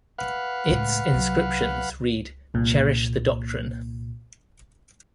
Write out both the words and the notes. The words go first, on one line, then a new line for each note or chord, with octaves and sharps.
Its inscriptions read Cherish the Doctrine.
B4 F5 F#5
C#2 A2
C2 F#3
C2 A#2